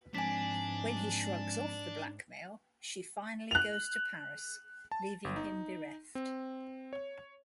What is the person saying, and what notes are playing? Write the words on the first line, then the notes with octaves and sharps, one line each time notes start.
When he shrugs off the blackmail, she finally goes to Paris, leaving him bereft.
G#2 F3 G#3 C4 D4 G#5 B6
F#6 F7
A5
G1
D#4
C4
C#5